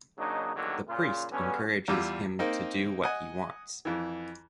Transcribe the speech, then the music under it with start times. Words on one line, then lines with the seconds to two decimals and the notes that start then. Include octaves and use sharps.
The priest encourages him to do what he wants.
0.19 C#3 F#3 A#3 D4 D#4
0.56 E2 D3 D#3 F#3 G3 A#3
0.88 A#2 C#3 F4
1.31 G2 D3 B3 C#4
1.88 E2 G3 F4 D6 E6
2.39 A#3 C4 D#4
3.03 D#5 F#5 G#5
3.85 F2 E3